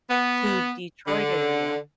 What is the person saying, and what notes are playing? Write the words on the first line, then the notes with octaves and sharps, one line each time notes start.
to Detroit area,
B3
D3